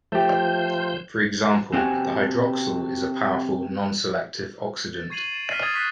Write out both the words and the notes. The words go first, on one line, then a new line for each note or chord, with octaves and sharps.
For example, the hydroxyl is a powerful, non-selective oxidant.
F3 A3 G4 C5 G6
C4 F#4 G4 F#5 G#5
A6
C#6 G#6 C7 D#7 F7 F#7
A6 C7 D7 E7
F6 B6 C7 D#7
D#6 E6 G#6 A6 E7 F7
C#6 D#6 F#6 A6 B6 C7